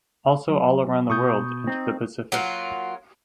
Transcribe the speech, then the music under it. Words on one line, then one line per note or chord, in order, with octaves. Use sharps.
Also all around the world into the Pacific.
F#3
B2 C#6 D#6 G6
C4 D#4
F#3 A#3 F4